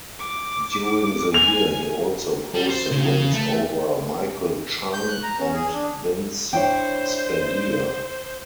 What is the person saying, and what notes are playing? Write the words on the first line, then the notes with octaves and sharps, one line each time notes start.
During the year he also posted wins over Michael Chang and Vince Spadea.
D6
G#5 F7
G3
C5
C#3
A3
G6
F#6
A#5
C#4
G#4
D4
D4 E4 C5 C#5 G5